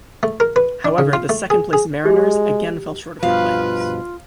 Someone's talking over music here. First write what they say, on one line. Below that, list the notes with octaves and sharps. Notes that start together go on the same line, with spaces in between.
However, the second-place Mariners again fell short of the playoffs.
A3
A#4
B4
D4
C#3
F4
A3
G#4
G#4
G#3 F#4 G4
G2 B2 F3 F4 B4 F5